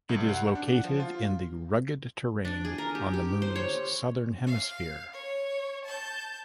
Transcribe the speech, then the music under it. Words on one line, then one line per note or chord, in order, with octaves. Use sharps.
It is located in the rugged terrain on the Moon's southern hemisphere.
C2
F#5
D4
F#5
F3
F4
D4
G#4
A#4
G4
G4
C5
C#5
F5
C#5
A5 G6